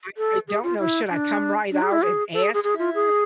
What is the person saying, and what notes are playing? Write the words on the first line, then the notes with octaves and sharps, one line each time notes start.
I I don't know, should I come right out and ask her?
A4
G#4
F4
E4
D4
D4
G#4
E4
G#4
A4
G#4
G#4
G#4
F4
G#4